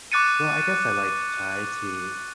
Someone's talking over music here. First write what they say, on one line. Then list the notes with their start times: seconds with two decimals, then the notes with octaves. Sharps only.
Well, I guess I like chai tea.
0.12 C#6 D6 F#6 A6 C#7 D#7